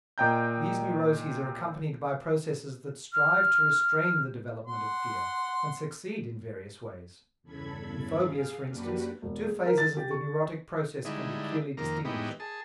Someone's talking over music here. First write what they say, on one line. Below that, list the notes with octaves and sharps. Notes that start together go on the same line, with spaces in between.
These neuroses are accompanied by processes that strive to restrain the development of fear, and succeed in various ways. In phobias, for instance, two phases of the neurotic process can be clearly distinguished.
A#2 D#5 G5 A#5 G6
F6
F#5 C6
E2 G2 C#3 A4 B5 G#6
G#4 F5
F#2 A#3 D4 F#4 G4 B4
E1
G#4
A#4
A6
G4
C#6
D3 G3 G#3 D#4 E4
F2 D#3 A#3 A#5
A2 E3 G#3 B3 D#4 G4
G#4 A5